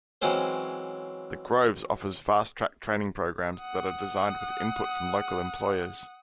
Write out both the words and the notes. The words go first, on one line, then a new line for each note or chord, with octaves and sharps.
The Groves offers fast-track training programs that are designed with input from local employers.
E3 F#3 G#3 C4 C#4 C5
F#5 D#6